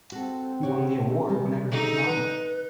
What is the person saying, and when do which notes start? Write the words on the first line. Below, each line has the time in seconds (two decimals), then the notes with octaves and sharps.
He won the Award whenever he was nominated.
0.12 C4 F#4 A4
0.63 F#4 G4 C#5
1.29 D#3 G3
1.71 D#4 A4
2.05 B4